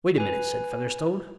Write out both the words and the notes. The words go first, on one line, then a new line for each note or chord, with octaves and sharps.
"Wait a minute," said Featherstone.
B4 G#5